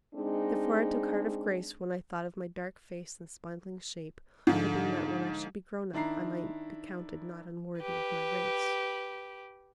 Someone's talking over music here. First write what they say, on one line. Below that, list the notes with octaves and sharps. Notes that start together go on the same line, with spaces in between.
Therefore I took heart of grace when I thought of my dark face and spindling shape, hoping that when I should be grown up I might be counted not unworthy of my race.
G#3 C4 D4 D#4
G#2 D3 F3
D#3 D4 E4 A#5 C7
G4 B4